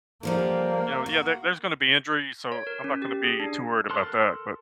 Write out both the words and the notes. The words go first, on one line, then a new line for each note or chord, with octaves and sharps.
You know, yeah, there there's gonna be injuries, so I'm not gonna be too worried about that. But
D3 F3 G3 A#3
F#4
C#5
A#4
C#4
G4
G#4
D4
A4 A#4 A5 C6 F#6